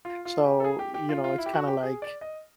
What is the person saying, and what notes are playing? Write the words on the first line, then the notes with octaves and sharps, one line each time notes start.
So, you know, it's kinda, like,
F4
F4
G4
A4
G#4
G4
G4
F4
F4
E4
G4
F#4
G4
G#4
D5
D#5